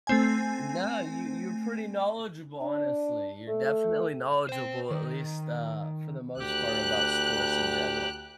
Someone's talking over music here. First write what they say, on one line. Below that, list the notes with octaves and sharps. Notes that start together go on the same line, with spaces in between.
no, you you're pretty knowledgeable, honestly, you're definitely knowledgeable, at least, uh, for the most part about sports in general.
A3 C4 G#5
D4
A3
C5 G5
D#3
D2 G4 F#6